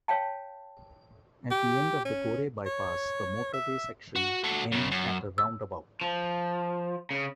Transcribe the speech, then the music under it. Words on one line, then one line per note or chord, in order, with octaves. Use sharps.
At the end of the Gorey bypass the motorway section ends at a roundabout.
C#5 F5 G5 A5
G4
C#4
C#5
E5
F#4
F#4 A4
F#2 C#3
F#2
E6
F3
C#3